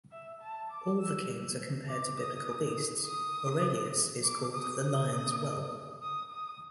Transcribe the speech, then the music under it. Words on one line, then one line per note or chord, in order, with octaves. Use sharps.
All the kings are compared to Biblical beasts; Aurelius is called the "lion's whelp".
E5
A5
D6
E6
D6
D#6
D#6
D6
D#6
D#6
D#6
D#6